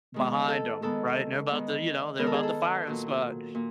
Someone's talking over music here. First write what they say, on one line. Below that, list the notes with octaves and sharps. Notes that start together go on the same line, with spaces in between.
behind him, right, and they're about to, you know, they're about to fire squad,
D#3 G#3 B3
A4
D#3 G#3 B3 A4
D#3 G#3 B3
D#3 G#3 B3 A#4
A4
G#4
A4
A#2 F#3 A#3
A#2